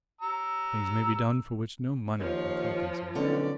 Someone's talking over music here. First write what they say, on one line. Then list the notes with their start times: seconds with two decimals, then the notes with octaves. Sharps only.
Things may be done for which no money can compensate.
0.21 A#5 E6
2.19 D#2 F3 F4 C#5 F5
3.15 B1 D3 C#4 D5